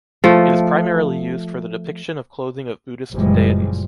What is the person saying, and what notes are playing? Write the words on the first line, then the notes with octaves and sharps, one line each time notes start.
It is primarily used for the depiction of clothing of Buddhist deities.
F3 A3
F#1 A#2 E3 F3 G3 G#3